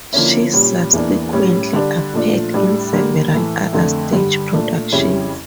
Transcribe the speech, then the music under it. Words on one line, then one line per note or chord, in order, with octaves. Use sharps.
She subsequently appeared in several other stage productions.
D3 F3 A#3 C#4 E4
A#2 G3 C#4
E2 E3 A#3 D4
A2 G3 C#4
D3 G3 D4
A#2 F3 A3 D4
A2 G3 D4
D3 G3 A#3
A2 E3 A3
F2 D3 A3
G2 D3 G3 D4
A#2 A3 D4
F2 C#3 G3 C#4 E4